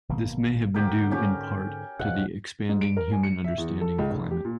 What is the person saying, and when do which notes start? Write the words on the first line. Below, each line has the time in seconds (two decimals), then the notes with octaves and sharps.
This may have been due, in part, to the expanding human understanding of climate.
0.09 G#1 B2 A#3
0.74 G#2 D3 F#4 G4 A#4
1.11 C#4 G4 A#5
1.99 E2 B2 F#5
2.69 G#2
2.81 D7
2.97 A#4
3.11 G#5
3.23 C#7
3.44 E5
3.58 E2
3.81 A4
3.98 C#2
4.11 F1
4.31 G4
4.45 A#2